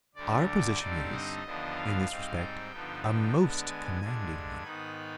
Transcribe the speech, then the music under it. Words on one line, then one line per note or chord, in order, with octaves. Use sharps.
Our position is, in this respect, a most commanding one.
D2 D3 G3 D4 D5
D5
G2 D3 G3 C4 D#4
D#5
D#2 D3 F3 B3 D4
F5
G#2 G3 C4 D#4
G5
G2 D3 F3 B3 D#4
G5
D3 G#3 B3 D4
G#5
G2 D3 G#3 D4
G#2 D#3 B3 D#4 B5